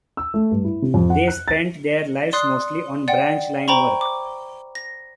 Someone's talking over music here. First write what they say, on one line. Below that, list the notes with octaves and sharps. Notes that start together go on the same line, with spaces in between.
They spent their lives mostly on branch line work.
E6
A3
G2
E4
C3
F2
F#5
F#6
A6
D5 C6 D#6 F#6 C7
D5 F#5 G5
C5 G5 A#5 B5 C#6
D6
A#6